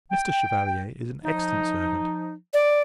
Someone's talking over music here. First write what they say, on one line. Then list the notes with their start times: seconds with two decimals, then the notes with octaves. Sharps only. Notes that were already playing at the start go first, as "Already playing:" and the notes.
Mr. Chevalier is an excellent servant.
0.11 G5
1.24 F3 D#4
2.54 D5